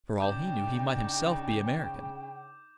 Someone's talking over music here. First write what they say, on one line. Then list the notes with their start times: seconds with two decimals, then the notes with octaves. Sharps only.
For all he knew he might himself be American...
0.20 C#3 D4 D#4 G5 D6 G6 E7